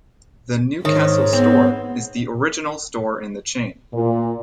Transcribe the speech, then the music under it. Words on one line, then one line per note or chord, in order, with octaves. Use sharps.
The Newcastle store is the original store in the chain.
G#2 D#3 C#5
B3 C4
A#2